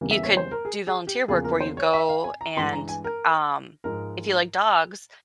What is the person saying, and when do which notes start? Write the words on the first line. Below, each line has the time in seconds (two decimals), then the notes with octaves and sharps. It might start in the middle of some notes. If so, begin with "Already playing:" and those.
you could do volunteer work where you go and um, if you like dogs,
0.01 E2 C#3 E3 G3 A#3
0.11 E5
0.23 C#5
0.37 C5
0.51 A#4
0.65 G#4
0.87 G#4
1.07 G4
1.28 E2 C#3 F3 A#3 G#4
1.44 A#4
1.60 C5
1.77 C#5
1.93 E5
2.09 F5
2.24 G#5
2.41 A#5
2.57 G2 E3 G#3 C6
2.73 A#5
2.89 G#5
3.04 A#4
3.84 G#2 F3 G#3 A#4